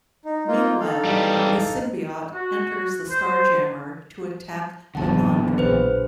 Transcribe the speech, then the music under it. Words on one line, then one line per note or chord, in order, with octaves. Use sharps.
Meanwhile, the Symbiote enters the Starjammer to attack Lilandra.
D#4
A#3 D#4 F4
D#4 A4 F5
E3 G3
F#4
C5
F#1 A2 D3 E3 B3 F#5 A5
A#1 B4 C5